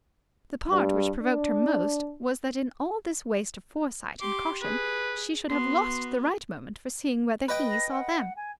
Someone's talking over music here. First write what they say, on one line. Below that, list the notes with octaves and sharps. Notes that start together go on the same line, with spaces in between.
The part which provoked her most, was that in all this waste of foresight and caution, she should have lost the right moment for seeing whether he saw them.
G2
D4
G4 C6 D6
G#4 B4
B3 F#4 C6
B4 D#5 G5
A#6
F#5
G#5